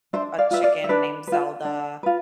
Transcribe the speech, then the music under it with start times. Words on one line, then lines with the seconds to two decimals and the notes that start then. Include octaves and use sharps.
a chicken named Zelda,
0.13 D4 C5 E5
0.38 D5 F5
0.51 F4 B4 E5
0.64 D5 F5
0.84 E5
0.89 D4 B4 D5
1.27 F4 B4
1.65 D4
2.03 F4 B4